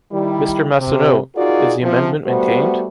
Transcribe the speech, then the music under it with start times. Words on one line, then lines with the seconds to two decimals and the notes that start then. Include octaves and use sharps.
Mrs. Massonneau, is the amendment maintained?
0.12 D#3 G3 E4
0.79 C3
1.36 D#4 F4 F#4 G#4 A#4 D5
1.82 C3 F3 C4
2.26 G3 A3 B3 F#4 C5